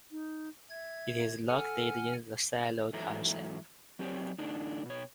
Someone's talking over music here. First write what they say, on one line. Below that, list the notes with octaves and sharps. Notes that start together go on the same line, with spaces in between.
It is located in the Shiloh township.
D#4
E5 G#6
A4 F#5 G#5 F6
G#2 E3 F#3 A4 E5 A#5
F#3 C4 G4 B4 C#5 D5
A2 D3 D4 D#4
B2 C#5